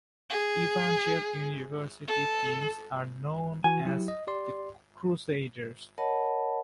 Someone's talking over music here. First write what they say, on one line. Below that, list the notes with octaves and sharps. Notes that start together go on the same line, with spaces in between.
Evangel University teams are known as the Crusaders.
G#4
A4
E3 F#4 G#5
F#3 E4 G4
D#5
G4 D5 C6
A#4 C#5 D#5 F#5 A5 B5